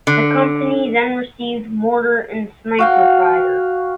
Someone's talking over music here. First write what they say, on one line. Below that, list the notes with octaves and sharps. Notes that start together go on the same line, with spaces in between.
The Company then received mortar and sniper fire.
D3
F#4 F5 G5